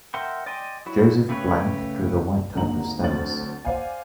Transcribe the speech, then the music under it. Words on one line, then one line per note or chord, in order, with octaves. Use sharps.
Joseph Blanc drew the White type of stamps.
A#4 E5 F#5 G5 C6
D5 D#5 G5 G#5 C6
F#3 E4 F#4
C#3 A3 G4 B4 C#5
G#1 D3 A#3 A#5 F#7
D2 F#3 C4 A6 F#7
C5 D5 F5 F#5 G#5